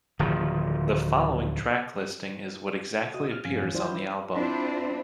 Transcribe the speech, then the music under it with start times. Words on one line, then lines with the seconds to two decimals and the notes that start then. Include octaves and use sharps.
The following track listing is what exactly appears on the album.
0.19 D1 D#3 F3
3.14 F#4 D#5 D#6
3.31 F6
3.45 G2 F3 C#4 F5 G#5
3.63 E3
3.75 F#3 E4 F4 C5 D5
4.36 C4 D4 E4 F4 C5